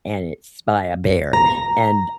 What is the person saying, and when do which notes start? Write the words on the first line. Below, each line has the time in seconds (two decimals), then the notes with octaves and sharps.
and it's by, uh, Behr, and
1.33 A#5